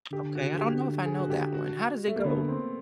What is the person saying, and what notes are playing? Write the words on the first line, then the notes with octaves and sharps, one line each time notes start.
Okay, I don't know if I know that one. How does it go?
D3 G4
F#4
F#4
G4
G#4
F#4
G4
F#4
A3
A#3
D3 B3
C4